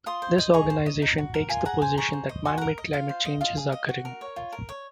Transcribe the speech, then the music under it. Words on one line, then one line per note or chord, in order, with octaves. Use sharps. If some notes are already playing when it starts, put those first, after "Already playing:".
This organization takes the position that man-made climate change is occurring.
F4 C6 D#6
C5
D#5
G#4 A#5 C#6
C5
D#5
D#4
F#4
A#4
F4 G#5 C6
G#4 F#5 A#5
C5 G#5 C6
G#4 A#5 C#6
C5
D#5
F#4 G#5 C6
A#4 F#5 A#5
D#5
F4 F5
C5
D#5
F4 F5
G#4
D#5
F#4
A#4
C#5
F4
A#4
C#5